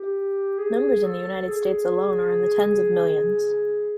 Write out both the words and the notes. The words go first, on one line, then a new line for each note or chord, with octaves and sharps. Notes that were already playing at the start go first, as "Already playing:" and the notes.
Numbers in the United States alone are in the tens of millions.
Already playing: G4
G#4
A4
G#4